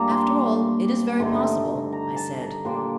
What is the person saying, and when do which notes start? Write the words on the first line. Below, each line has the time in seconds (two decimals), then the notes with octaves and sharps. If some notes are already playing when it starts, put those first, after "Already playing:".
"After all it is very possible," I said.
Already playing: A#2 G3 A#3 D4 A#5
0.11 C6
1.20 G2 D3 A3 D#4 C6
1.93 A#5
2.16 A5
2.41 A#5
2.65 A#2 G3 A#3 D4 C6